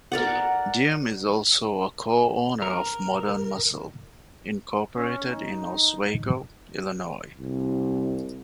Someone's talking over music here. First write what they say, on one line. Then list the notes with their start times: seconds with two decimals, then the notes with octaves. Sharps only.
Diem is also a co-owner of Modern Muscle, Incorporated in Oswego, Illinois.
0.12 A#4 D5 F#5
2.62 A#4
4.96 C#4
5.25 D#4
7.38 C2